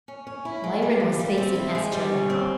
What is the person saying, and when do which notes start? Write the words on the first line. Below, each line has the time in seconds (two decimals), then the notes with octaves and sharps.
Myrin was facing Estra now.
0.08 C#4
0.27 C#4
0.45 E4
0.64 G#3
0.82 G3
1.00 A#3
1.19 G3
1.38 C4
1.55 E4
1.75 G#3
1.92 G3
2.11 C#4
2.30 C4